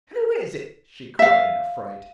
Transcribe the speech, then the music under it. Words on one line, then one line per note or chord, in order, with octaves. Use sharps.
"Who is it?" she cried in affright.
E5 F5